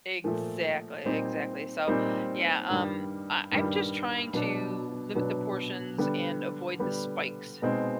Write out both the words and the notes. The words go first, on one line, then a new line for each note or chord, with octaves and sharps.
Exactly, exactly, so, yeah, um, I I'm just trying to limit the portions and avoid the spikes,
A#2 F3 A3
A#2 G3 C4 D#4
A#2 G3 C4 D#4
G2 D#3 G3
G2 D#3 G3
B2 F#3 B3 D4
B2 F#3 B3 D4
D3 G3 B3
D3 G3 B3
B2 G#3 C4 D#4